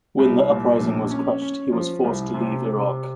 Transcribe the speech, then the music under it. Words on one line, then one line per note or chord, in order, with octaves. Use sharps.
When the uprising was crushed he was forced to leave Iraq.
C2
A#2
A#1
C#4
C#4
F3
C2
C3
C3